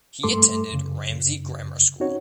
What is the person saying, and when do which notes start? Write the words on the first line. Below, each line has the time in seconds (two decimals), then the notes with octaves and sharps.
He attended Ramsey Grammar School.
0.23 G2 A3 A4 C6 D6
0.71 F#2 C#3
2.00 C4 C#4 D#4 F#4 C#5